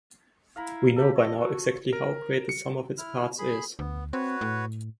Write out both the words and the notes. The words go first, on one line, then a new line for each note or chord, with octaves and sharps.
We know by now exactly how great the sum of its parts is.
E4 F5 A#5 B5
G4 A4 B5
C#5 D#5
F#4
A#4
C#7
E4 F6
G#4 B5
D2 B3
C4 F#4 B4 C#5
A2